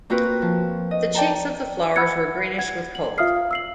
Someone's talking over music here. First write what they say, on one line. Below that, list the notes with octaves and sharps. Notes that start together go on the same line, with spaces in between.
The cheeks of the flowers were greenish with cold.
A#3 C4 F4 F#4 A#4 B4
F3
D#5
D5 G5 A5 A#5
F#5 B5 E6 F#6 G#6 C#7
F#5 G#6
F#7
F4 E5 F5 D#6 F6 C7
F5
E6 C7 F#7